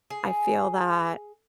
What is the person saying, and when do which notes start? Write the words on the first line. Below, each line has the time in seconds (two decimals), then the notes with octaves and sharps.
I feel that.
0.10 G#4